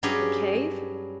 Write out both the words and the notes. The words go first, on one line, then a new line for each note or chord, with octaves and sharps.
"The cave?"
G2 F#3 C#4 G4 G#4 C#5